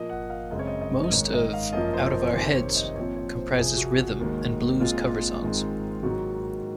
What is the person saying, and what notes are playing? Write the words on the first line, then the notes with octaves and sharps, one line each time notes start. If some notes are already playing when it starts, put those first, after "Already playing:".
Most of "Out of Our Heads" comprises rhythm and blues cover songs.
Already playing: A#2 F3 A#3 D#5
F#5
F5
F#2 C#3 G#3 C4 D#5
C#5
D#5
D#5
D#5
G#2 D#3 G#3 C#5
D#5
F5
F#2 F3 A#3 D#5
C5
C2 C3 D#3 C5
C#5
D#5
A#2 F3 C4 C#5
C#5
C5
C2 C3 F3 G#4
F#4
F#4
D#2 D#3 G#3
A#2 G#3 C4 F4
G#2 D#3 G#3 C4
G#2 D#3 F#3 A#3 F#4